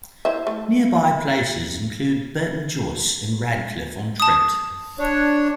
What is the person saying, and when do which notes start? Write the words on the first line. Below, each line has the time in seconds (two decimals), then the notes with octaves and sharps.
Nearby places include Burton Joyce and Radcliffe on Trent.
0.25 E4 C5 E5
0.47 A3
4.20 A5 D#6
4.99 D4 C#5